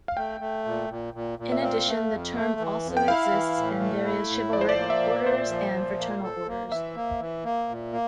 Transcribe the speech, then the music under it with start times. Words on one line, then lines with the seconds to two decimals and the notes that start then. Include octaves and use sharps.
In addition, the term also exists in various chivalric orders and fraternal orders.
0.08 F5
0.17 A3 G5
0.40 A3
0.65 A#2
0.89 A#2
1.14 A#2
1.39 A#2
1.52 E5
1.62 C4 F5
1.87 A3
2.11 F2
2.35 A3
2.60 E3
2.84 F2
2.97 G5
3.08 E4 F5
3.32 E3
3.57 A2
3.80 A3
4.06 E4
4.30 A2
4.53 F3 D5
4.61 C5
4.69 D5
4.78 A#3
4.90 E5
5.02 A#2
5.26 A#2 C5
5.50 F3
5.75 A#2
5.99 A#3
6.23 A4
6.48 A#3
6.71 E3 E5
6.96 A#3
7.20 E3
7.45 A#3
7.69 A#2
7.93 A#3